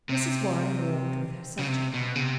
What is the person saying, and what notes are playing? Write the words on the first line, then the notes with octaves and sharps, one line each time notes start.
Mrs. Warren warmed with her subject.
C3
C#3
C3
B2
C#3
C3